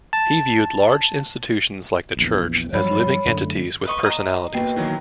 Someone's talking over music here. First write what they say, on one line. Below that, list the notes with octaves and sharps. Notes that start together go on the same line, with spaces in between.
He viewed large institutions like the church as living entities with personalities.
A5
A#1 E2
G2 F3 F#3 C#5 B5
F#2 D3 A3
B4 D#5 C#6
D#5 A#5
B2 A#3 G5 C7
D#3 E3 F#3